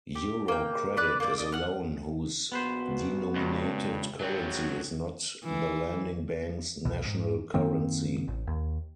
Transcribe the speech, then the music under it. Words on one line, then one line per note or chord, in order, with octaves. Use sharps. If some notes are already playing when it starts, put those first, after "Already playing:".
Eurocredit is a loan whose denominated currency is not the lending bank's national currency.
G4
A#3 G5
B4 D5 F#6
A#3 C5 D5 D6
D5 D#5
F#5 F6
A#1 B3 F#4 B4 C5
C#2 G2
G#1 F#3 C4
E3
C2 B2
G#2
F#2 D#3 A#3 C4
A1
D#2